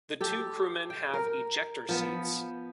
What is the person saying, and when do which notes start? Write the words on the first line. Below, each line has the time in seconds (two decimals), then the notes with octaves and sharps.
The two crewmen have ejector seats.
0.21 G4 A4
0.90 G5
1.14 A#4
1.89 F3 B3